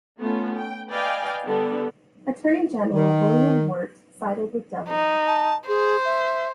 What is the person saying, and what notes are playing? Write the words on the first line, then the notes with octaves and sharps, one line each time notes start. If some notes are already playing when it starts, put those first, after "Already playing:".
Attorney General William Wirt sided with Delaware.
A3 B3 C#4 F4
G5
B4 D5 D#5 F5 G5 G#5
D3 G3 B3
D#3
D#4
A5
G#4 C5
E5